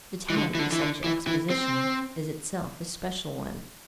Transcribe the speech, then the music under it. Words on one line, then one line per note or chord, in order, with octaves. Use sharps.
The talent for such exposition is itself a special one.
E3
D3
E3
D3
E3
D3
E3
E3
C4